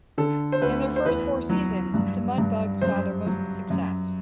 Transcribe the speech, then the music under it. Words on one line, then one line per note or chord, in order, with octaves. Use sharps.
In their first four seasons, the Mudbugs saw their most success.
D3 A4
C5
D2 B4
C5
E2 B4
F#3
G2
G2
F#2 C5
F#3
F#2